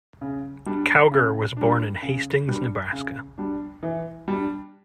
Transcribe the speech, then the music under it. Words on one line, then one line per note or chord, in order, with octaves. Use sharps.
Cowger was born in Hastings, Nebraska.
C#3
G3 D4
C#3
G3 D4
C#3
G3 D4
C#3
G3 D4
E3
G3 D4